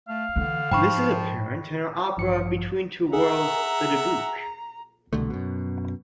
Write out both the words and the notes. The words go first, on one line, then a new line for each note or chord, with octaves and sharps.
This is apparent in her opera Between Two Worlds-The Dybbuk.
A3 F5
D3 E3 A#3
G#2 F3 G5 B5 C#6
A1 G2 F3 C#7
G#4 E5 F#5 A#5
C2 B2 D3 A3
F#2 B2